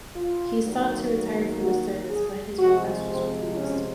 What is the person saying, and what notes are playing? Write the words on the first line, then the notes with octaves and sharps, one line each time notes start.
He sought to retire from the service but his request was refused.
F4
D#3 F#3 A#3
F#4
G#4
C3 F3 G#3 F#4
C4
C#4